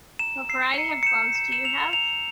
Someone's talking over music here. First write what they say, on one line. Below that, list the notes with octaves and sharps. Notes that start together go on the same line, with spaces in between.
What variety of gloves do you have?
A#5 E7
E6 C7
A#5 C#7
C#7
G6 E7
A#5 E7
E7
E6 F7
A#5 F7